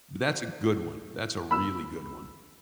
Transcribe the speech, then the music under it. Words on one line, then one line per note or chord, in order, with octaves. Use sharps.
but that's a good one, that's a really good one.
B5 E6